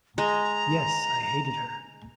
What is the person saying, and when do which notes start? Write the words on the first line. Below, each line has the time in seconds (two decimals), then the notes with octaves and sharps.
Yes, I hated her.
0.18 G#3 A#5